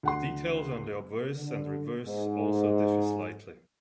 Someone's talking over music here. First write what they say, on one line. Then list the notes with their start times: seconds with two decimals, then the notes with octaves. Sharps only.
The details on the obverse and reverse also differ slightly.
0.03 D2 F#5 C6
1.33 D3
2.05 G#2